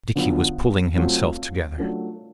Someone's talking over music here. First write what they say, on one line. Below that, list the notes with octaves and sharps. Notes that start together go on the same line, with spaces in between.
Dickie was pulling himself together.
D3 F#3 B3 D4 F4
F#3 A3 C4 F4
F#3 A3 D4 F4